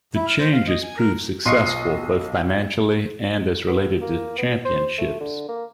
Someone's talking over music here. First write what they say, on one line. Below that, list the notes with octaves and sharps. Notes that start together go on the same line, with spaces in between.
The change has proved successful, both financially and as related to championships.
E4
F6
C5
F5
D#5
G#5
A#4
B1 F4 D#5 C#6 C7
B3
A#3
B3
C5
A3
D3
A#3